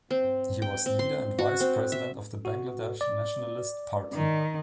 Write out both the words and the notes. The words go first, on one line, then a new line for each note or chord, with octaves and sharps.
He was leader and Vice President of the Bangladesh Nationalist Party.
C4
G5
C4
C6
F#4
C4
E5
F#4
D5
D#3